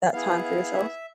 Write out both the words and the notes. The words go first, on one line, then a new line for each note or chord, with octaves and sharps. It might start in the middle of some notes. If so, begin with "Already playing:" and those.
that time for yourself?
B3 E4 G#4 F5
F5
E5